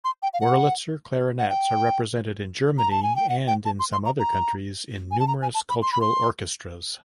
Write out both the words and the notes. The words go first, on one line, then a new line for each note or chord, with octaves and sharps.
Wurlitzer clarinets are represented in Germany and some other countries in numerous cultural orchestras.
C6
G5
F5
F#5
F#5
G5
A#5
A5
G#5
G5
F#5
G5
A5
C6
C6
A#5
A#5
G#5
A5
A#5
G#5
A5
B5
C6
B5
C6